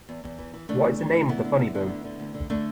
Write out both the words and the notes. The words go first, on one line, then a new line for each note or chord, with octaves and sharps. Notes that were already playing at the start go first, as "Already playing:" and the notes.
What is the name of the funny bone?
E2
E2
E3
E3
E3 A3 D4
E2
E3
E3
D2 B3 E4
D3
D3
D3
D2
D3
D2
D3
D3 A3 D4